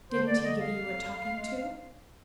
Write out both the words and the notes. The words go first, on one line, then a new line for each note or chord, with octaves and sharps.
"Didn't he give you a talking to?"
D3 C5
D5
D3
D#5
F2 F5
F2
F2
G#3